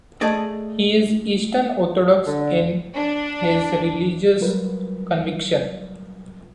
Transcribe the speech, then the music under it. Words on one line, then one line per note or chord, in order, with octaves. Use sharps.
He is Eastern Orthodox in his religious conviction.
A3 G#4 D5 D#5
D3
D4
F#3 G3 F4 A#4 B4